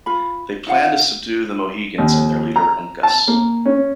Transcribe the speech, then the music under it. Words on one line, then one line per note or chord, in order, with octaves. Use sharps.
They planned to subdue the Mohegans and their leader Uncas.
F4 B5
D#4 F4 F5 F#5
D#2
A#5
A5
A#3
C#4